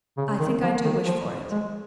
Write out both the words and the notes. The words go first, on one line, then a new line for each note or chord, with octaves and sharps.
"I think I do wish for it."
C#3
D#3
F3
D#3
F3
G#3